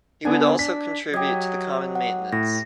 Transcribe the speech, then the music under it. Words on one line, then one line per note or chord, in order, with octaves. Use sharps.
He would also contribute to the common maintenance.
D3 B3 D4 G#5
D4 B6
F#3 G4 D#5 G#6
F#5
A2 A#6